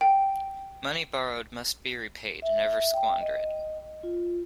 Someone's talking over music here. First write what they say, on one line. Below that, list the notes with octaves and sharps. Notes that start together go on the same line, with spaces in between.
Money borrowed must be repaid, never squander it.
G5
E5
G5
D#5
F4